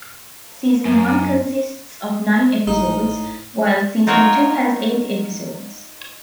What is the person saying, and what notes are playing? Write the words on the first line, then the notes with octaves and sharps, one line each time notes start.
Season one consists of nine episodes, while season two has eight episodes.
F#2
G#1 A2 D#4
D#4 F4 F#4 A#4 C#5